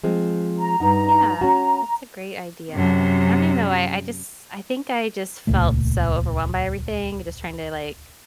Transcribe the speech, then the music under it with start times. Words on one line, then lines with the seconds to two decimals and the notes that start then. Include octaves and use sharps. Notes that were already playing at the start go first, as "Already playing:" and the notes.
Yeah. That's a great idea. I don't even know. I I just I think I just felt so overwhelmed by everything. Just trying to, like,
0.04 F3 G#3 C4
0.58 A#5
0.80 G2 D#4 F#5
1.41 C#4 F#4
2.72 F#2 C3
5.47 D#1 C#2 A#2 A3